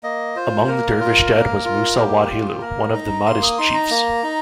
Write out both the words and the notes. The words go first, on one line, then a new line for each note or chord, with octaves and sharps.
Among the Dervish dead was Musa wad Helu, one of the Mahdist chiefs.
A#3 D#5
F4 C5
A#3 A#4
F4
A#3
F4
A#3 G4
F4
G4
A#3 A#4
D#4 A#5
A#3 C6
D#6
D#4 C6
A#5
A#3
D#4